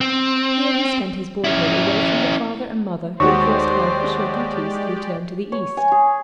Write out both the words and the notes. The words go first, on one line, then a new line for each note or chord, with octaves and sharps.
Here he spent his boyhood, away from the father and mother who were forced by official duties to return to the East.
C4
C#4 E4
D#2 G#3 F#4 G4 C5 D5 C#6
C#5
G#5
G#4